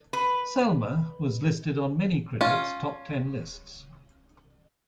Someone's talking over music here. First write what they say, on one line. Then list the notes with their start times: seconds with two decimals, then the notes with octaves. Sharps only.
"Selma" was listed on many critics' top ten lists.
0.13 B4
2.41 C#4 F4